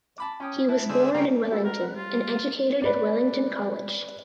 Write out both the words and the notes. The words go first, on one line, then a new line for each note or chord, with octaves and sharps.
He was born in Wellington and educated at Wellington College.
A5 B5 D6
C#4 G5 D#6
E4 B4 A5
D3 G#3 C5 E5
C#3 G3 A#3
F#4 G4 A4 B4
A#4
C4 B4 F#5
G3 F4
B4 D5